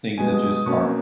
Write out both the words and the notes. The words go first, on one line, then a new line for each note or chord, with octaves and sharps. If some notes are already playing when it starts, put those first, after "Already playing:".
things that just aren't
B2 G#3 B3 G#5
D#6
D#6
B2 A#3 C#4 C#6